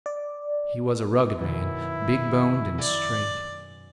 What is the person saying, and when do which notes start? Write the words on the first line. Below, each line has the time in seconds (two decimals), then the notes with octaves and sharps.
He was a rugged man, big-boned and straight.
0.06 D5
1.38 F#2 B2 D#3 E4
2.80 D5 E6